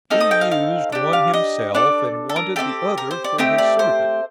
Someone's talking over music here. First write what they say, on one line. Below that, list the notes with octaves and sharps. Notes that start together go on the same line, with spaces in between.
He used one himself and wanted the other for his servant.
C4 D#4 A4 F6
D#6
G5
F5
F5
D4 G4
F5
D#5
D4 A4 D5
A4
A#4
C4 D#4 G4 A4
A#4
C5
D5
A3 C4 G4 D#5
D5
C5